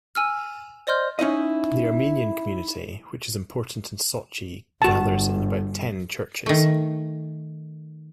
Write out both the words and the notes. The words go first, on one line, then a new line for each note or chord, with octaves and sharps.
The Armenian community, which is important in Sochi, gathers in about ten churches.
G#5 E6 F6
C5 D5 D#5 C6 F6 G6
C#4 D#4 E4 D#5
G1 F#4 A5
D#3 A3